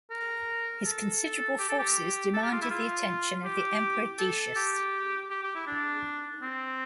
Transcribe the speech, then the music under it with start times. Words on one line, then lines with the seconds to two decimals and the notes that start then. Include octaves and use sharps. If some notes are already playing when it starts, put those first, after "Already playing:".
His considerable forces demanded the attention of the emperor Decius.
0.11 A#4
0.85 A4
1.59 G4
1.69 A4
1.79 G4
2.34 A4
2.43 G4
2.52 F4
2.62 E4
2.70 F4
3.44 G4
4.19 A4
4.56 G4
5.30 G4
5.43 G4
5.55 E4
5.67 D4
6.42 C4